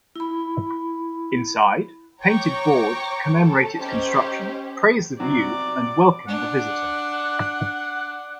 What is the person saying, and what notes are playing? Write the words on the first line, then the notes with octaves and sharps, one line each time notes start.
Inside, painted boards commemorate its construction, praise the view and welcome the visitor.
E4 B5
C#5 G5 A#5 C#6 D6
A4
C#4 D#4 G4 C5
C3 F#3 F#4 D5
D4 F#5